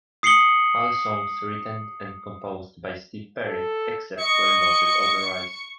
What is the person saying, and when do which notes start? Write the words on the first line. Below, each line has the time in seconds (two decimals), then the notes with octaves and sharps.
All songs written and composed by Steve Perry, except where noted otherwise.
0.23 D#6 C7 C#7 F#7 G7
3.47 A4
4.19 D#5 C#6